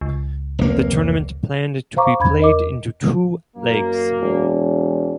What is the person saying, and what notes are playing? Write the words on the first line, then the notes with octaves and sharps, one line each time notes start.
The tournament planned to be played into two legs.
C#2
F1 A#3
C5 F5 A#5 C#6 D6
E2 B5 G#6
A#4 D#5 D6
F#2 A#3
E1